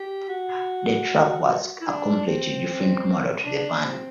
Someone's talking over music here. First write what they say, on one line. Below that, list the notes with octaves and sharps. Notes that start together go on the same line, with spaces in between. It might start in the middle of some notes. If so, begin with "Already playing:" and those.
The truck was a completely different model to the van.
Already playing: G4
F#4
E4
D4
C4
D4
C4